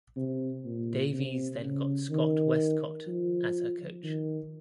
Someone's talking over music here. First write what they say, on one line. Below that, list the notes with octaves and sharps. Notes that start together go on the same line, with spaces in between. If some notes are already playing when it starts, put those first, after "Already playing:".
Davies then got Scott Westcott as her coach.
C3
A#2
C3
C#3
D#3
F3
D#3